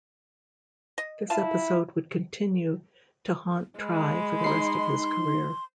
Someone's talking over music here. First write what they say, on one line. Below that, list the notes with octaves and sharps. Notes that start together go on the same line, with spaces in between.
This episode would continue to haunt Try for the rest of his career.
D#5
E4 F4 F5 A5
G#3 B5
D#4 C6 C7